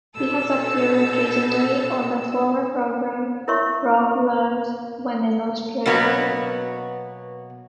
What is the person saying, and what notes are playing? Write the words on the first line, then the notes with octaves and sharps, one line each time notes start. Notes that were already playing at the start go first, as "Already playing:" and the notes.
He has appeared occasionally on the former program "Rove Live" when in Australia.
B2 A4 E6
E4 A#4 C#5 E5 C6 C#6
B2 F#3 A#3 B3 F#4